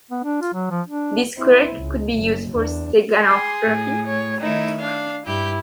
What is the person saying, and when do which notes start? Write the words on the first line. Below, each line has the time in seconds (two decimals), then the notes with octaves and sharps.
This quirk could be used for steganography.
0.11 B3
0.24 D4
0.42 F4
0.54 F#3
0.71 F3
0.87 D4
1.37 C4 E4
1.78 C#2
2.16 F#1
2.52 E2 D4
3.25 G#4 C6
3.67 A2
4.07 C#5
4.41 D#3 A3 D#4 E4
4.79 D4 F5
5.26 G2 E4 G4 G6